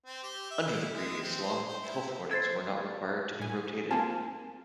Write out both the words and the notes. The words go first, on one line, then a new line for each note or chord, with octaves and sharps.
Under the previous law, health warnings were not required to be rotated.
C4
G4
E5
E4
G#3
C4
C5
C5
E4
C5 E6 G#6 A6 C7
A2 G#5
A#3 C4 F4 G#5 A5